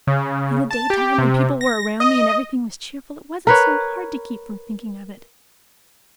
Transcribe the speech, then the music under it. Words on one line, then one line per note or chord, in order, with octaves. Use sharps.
In the daytime, when people were around me and everything was cheerful, it wasn't so hard to keep from thinking of it.
C#3
A5
G4
C3
A#6
D#5
A#4 B4 C#5